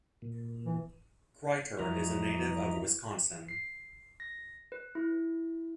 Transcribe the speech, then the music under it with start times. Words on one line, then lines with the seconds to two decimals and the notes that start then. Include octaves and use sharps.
Kreiter is a native of Wisconsin.
0.22 A#2
0.66 E3
1.79 F2 E3 F3 G3 F#4 D#5 E5 A#5
3.48 C7
4.20 A#6
4.72 B4
4.95 E4